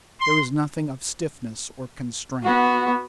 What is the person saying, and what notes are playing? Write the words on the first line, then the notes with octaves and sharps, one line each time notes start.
There is nothing of stiffness or constraint.
C6
B3 F#4